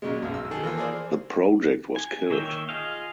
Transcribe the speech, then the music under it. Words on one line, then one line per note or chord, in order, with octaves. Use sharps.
The project was killed.
A#2 C#3 F#3 G#3
B1 F#2
E6
D#3 G#4 A4
E3 F3 A#3 E6
G#4 A#4 C5 D5
G#5
D#3 A#3 C#5 E5 G5
F4 G#4 D#5 F5